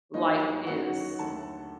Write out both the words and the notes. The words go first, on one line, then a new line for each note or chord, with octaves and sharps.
life is
G2 D#3 F#3 A#3 D#4 D#5
F#2 D#3 F#3 F#4 F#5
D#2 D3 A3 A4 A5